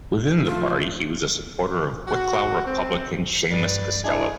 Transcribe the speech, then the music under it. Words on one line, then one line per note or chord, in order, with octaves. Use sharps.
Within the party he was a supporter of Wicklow Republican Seamus Costello.
F3 A3 F4
F#4
C4
G2 B4 D5
D4 E4 G#4 D#5